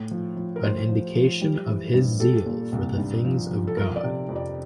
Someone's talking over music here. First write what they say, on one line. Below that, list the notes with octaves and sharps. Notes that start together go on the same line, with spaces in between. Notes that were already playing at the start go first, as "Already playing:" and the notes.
An indication of his zeal for the things of God.
Already playing: A2
F3
F3
A#4
A2 C5
F3
F3
G3
E3
G2
G3 A4
A#2
C2
G2
F3
F3
A4
F3 A#4
D5
C3
F2
D5